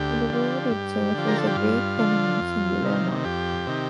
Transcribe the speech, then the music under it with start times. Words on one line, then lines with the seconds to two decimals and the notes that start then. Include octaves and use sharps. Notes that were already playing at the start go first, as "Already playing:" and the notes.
The word itself is a Greek feminine singular noun.
Already playing: D2 G4
0.30 D3 F3
0.71 G2
1.14 D3 F3
1.28 A#4
1.38 A4
1.47 G4
1.56 G2 F4
1.98 D3 F3
2.41 F2
2.83 C3 D#3
3.25 F2 G4
3.67 C3 D#3